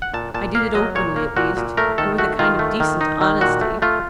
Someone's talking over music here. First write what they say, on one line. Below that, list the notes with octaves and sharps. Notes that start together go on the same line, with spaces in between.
I did it openly, at least, and with a kind of decent honesty.
F#5
A#2 A5
A#2 A5
A#3 F5
F#3 D#5
A#2 C#5
A#3
A#2 F#4
A#2
A3 A#4
D#3 A4
A3 F#4
D#3 F4
A3
D#3
D#4
D#3
A#2 F#4
A3
A3 F4